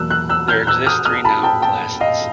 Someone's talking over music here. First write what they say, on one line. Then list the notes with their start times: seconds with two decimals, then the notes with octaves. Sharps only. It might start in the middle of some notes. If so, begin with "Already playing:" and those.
There exist three noun classes.
Already playing: E2 B2 F#3 A#3 E6 F#6
0.10 E6 F#6
0.29 E6 F#6
0.48 F6 G6
0.67 E6 F#6
0.87 D#6 F6
1.05 D#6 F6
1.25 A5 B5
1.43 G5 A5
1.62 G5 A5
2.01 D#5 F5